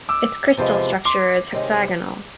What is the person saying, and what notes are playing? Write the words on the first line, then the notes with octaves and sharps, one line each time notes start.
Its crystal structure is hexagonal.
D6 E6
E2 C3 F3 G#3
C6 D6
C3 D#3 G#3 C#4